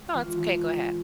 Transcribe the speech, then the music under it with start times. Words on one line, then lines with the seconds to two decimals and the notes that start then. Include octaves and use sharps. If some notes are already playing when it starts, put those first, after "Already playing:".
No, it's okay go ahead.
Already playing: C#2
0.14 E3 F4
0.39 E3
0.64 C#3